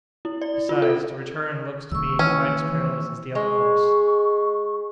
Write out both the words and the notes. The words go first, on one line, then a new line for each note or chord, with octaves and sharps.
Besides, to return looks to me quite as perilous as the other course.
E4
D5
F4
A4
D1 D#3 A#3 C#6 E6
E3 C#4
G#3 C#6